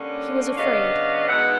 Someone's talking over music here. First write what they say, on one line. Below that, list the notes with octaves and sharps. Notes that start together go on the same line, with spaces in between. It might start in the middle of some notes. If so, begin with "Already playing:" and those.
He was afraid!
Already playing: D3 G3 A#3 C#4
C#3 F#3 B3 D4 D#5 F5
B2 G#3 B3 D#4 E5 F#5